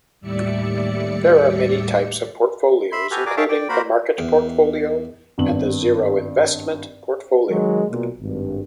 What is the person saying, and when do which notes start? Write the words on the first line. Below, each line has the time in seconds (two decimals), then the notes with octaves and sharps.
There are many types of portfolios including the market portfolio and the zero-investment portfolio.
0.21 D#2 A2 G3 D5 E5 C#7
2.92 E5 B5 C6
3.11 F#4 G4 A4 B4 G#5 F6
3.26 F#4 G#4 A#4 D5 G#5 D6
3.37 G#4 C#5 E5 F5 G5 A5
3.49 D5 G5
3.69 A#3 F#4 A#4 C5 B5
4.18 E2
5.38 G#1 G2 B3 F#7
7.50 D#3 F#3 G#3
7.90 B1 A#2
8.19 G#1 G2